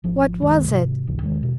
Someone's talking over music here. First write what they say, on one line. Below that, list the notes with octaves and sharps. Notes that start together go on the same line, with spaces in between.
What was it?
G#1 F3
C2 F#2 D#3 G#3
G#2 C3
G#1 C#2 E3
E2 D#3 G3 G#3
B2